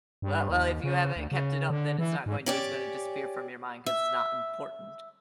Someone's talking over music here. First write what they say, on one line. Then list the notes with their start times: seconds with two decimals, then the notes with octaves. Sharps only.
Well well if you haven't kept it up, then it's not going to it's gonna disappear from your mind 'cause it's not important.
0.22 G2
0.50 D#2
0.84 C#3
1.16 D2
1.32 C#3
1.70 D3
1.99 E3
2.26 G#2
2.46 C#4 G4 D5
3.86 E5